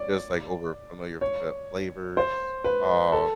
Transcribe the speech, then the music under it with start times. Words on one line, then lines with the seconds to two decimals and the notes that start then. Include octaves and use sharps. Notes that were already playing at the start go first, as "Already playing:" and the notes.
Just, like, over familiar fa uh, flavors, uh,
Already playing: C#5 D5
1.21 C#5
2.17 C5
2.64 B4
3.12 A4